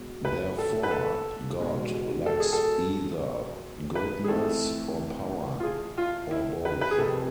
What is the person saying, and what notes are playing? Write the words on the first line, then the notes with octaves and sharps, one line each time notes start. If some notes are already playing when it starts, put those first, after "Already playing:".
Therefore God lacks either goodness, or power, or both.
Already playing: B2 G#3
B4
A4
B4
A4
B1 B2 G#3
A4
G#4
A4
B4
G#4
F2 E3 A3 A4
F4
G#4
F4
E4
B4
B4
G#4
F1 F2 C3 A4